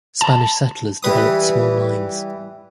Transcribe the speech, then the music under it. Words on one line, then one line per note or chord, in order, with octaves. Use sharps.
Spanish settlers developed small mines.
A5
E3 G3 B4 D#6